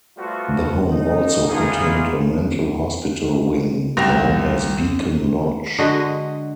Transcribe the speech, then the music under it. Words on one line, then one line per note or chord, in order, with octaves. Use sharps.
The home also contained a mental hospital wing known as Beacon Lodge.
F3 G3 A3 B3 F4 F#4
D#4
E3 A#3 B3 D#4 F4 G#4
C2 F#2 G4 A#6 F7
D3 G#3 F#4 D#5